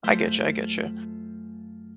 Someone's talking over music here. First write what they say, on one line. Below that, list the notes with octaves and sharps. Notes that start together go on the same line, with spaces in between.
I get you, I get you.
F#2 A3 F4 C5